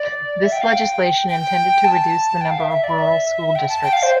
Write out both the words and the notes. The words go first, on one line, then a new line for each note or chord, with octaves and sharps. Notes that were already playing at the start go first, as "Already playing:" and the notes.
This legislation intended to reduce the number of rural school districts.
Already playing: D5
E5
G5
F5
G5
G5
A5
G5
F5
E5
E5
D5
E5
G5
A5
G5
F5
C5